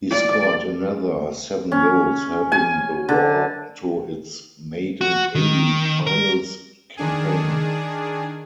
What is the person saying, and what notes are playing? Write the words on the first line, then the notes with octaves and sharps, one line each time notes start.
He scored another seven goals helping the Roar onto its maiden A-League Finals campaign.
D5
C#4
G#5
D3
F#4
D#3
A#4
D#3 D4 G#4